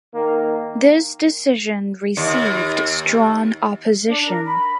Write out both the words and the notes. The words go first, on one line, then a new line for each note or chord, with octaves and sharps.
This decision received strong opposition.
D#3 A#3
D#2
D4
A#4
B5